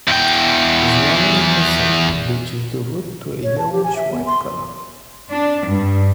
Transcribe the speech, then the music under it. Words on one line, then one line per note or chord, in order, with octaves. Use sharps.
Drying in the sun bleaches the root to a yellowish-white color.
E2 G5
C#5
A5
G4
G#5
E5
B3
C6
D4
G2